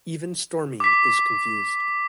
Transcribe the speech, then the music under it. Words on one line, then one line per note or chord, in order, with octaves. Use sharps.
Even Stormy is confused.
D6 B6